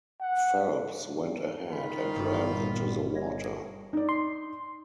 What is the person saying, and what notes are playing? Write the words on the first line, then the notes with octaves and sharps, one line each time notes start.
Phelps went ahead and ran into the water.
F#5
D#3 F4 B5
G1 C4
A#2 G3 B3
C#5 D#5
D#4 D5
C6